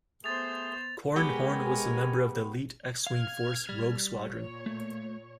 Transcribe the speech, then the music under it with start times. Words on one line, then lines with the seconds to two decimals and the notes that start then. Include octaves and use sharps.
Corran Horn was a member of the elite X-wing force Rogue Squadron.
0.24 A3 B3 G#4 C5 A6 F7
1.16 G#3 B3 G4 A#4 C#5 G#5 B5
3.07 F5 F6 G#6
3.69 G3
4.16 A#2 C#5
4.66 A3